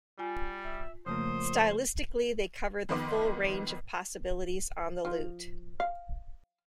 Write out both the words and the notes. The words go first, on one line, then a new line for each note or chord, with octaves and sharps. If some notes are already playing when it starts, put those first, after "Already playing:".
Stylistically, they cover the full range of possibilities on the lute.
G3 F4 G#5
E5
F2 C#3 F3 A3 A#3 C5 D#6
F2 D#3 B3 C6 D6
F3
F5